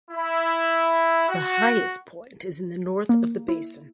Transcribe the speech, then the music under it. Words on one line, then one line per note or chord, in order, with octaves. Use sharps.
The highest point is in the north of the basin.
E4
F#4
A#3
E4